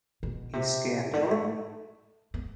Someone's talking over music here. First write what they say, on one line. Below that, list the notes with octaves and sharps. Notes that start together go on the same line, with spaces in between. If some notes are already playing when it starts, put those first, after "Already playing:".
He scanned them.
B2
C3
D3
A3
B3